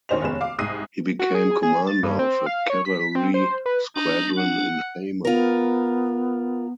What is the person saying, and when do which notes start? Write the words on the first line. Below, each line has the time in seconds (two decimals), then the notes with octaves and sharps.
He became commander of a cavalry squadron in Hama.
0.09 D#2 D#3 C#4 C5 D#5 F7
0.22 F1 G#3 B3 C#4 E7
0.41 F5 D6
0.58 C2 G#2 D#6 A#6 C7 D#7
1.19 F#4
1.35 G#4
1.63 G#4
1.87 A6
2.03 G2
2.19 C4
2.46 F5
2.70 C#5
2.85 B6
3.15 C4
3.34 C5
3.66 B4
3.96 D4 D#4
4.37 F#5
5.25 B3 F4 A#4